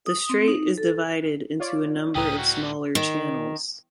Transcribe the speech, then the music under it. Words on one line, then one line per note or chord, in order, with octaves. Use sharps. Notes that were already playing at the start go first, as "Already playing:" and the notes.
The strait is divided into a number of smaller channels.
D#6
C4
D#4
A4
F4 C#5 D5
C#2 A2 E3 G3 G5 A#5 D#6
F#4
D#3